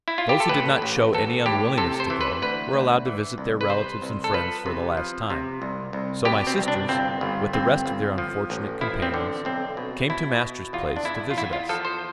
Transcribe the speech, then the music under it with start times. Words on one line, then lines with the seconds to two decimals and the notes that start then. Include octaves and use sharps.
Those who did not show any unwillingness to go were allowed to visit their relatives and friends for the last time. So my sisters, with the rest of their unfortunate companions, came to master's place to visit us.
0.08 E4
0.18 F4
0.29 G4
0.40 A4
0.49 A1 B4
0.82 A1
1.13 A1 A4
1.46 A2 G4
1.78 C3 A4
2.00 C5
2.10 E3
2.21 B4
2.42 D2 B4
2.73 D2
3.06 E3
3.38 C2
3.61 B4
3.69 C3 C5
4.02 C2
4.24 A4
4.34 F3 B4
4.66 C3
4.97 F3
5.30 C3
5.62 C2
5.93 C2
6.25 B2 G4
6.47 C4
6.58 C2
6.68 D4
6.89 G1 C4
7.21 G1
7.53 G1 C4
7.86 G1
8.18 F3
8.50 A1
8.81 F3 E4
9.02 C4
9.14 D3
9.45 B1 C4
9.77 B2
10.10 B2 E4
10.41 B2
10.73 E2 F4
10.96 D4
11.05 E2 E4
11.31 F4
11.37 E2 E4
11.53 F4
11.69 F3 A4
11.85 C5